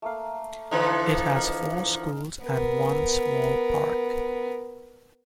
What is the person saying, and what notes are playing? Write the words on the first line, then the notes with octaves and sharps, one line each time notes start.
It has four schools and one small park.
A3 A#3 F5
D3 E3 F3 D#4 B4
A#4 F5
B3 A#4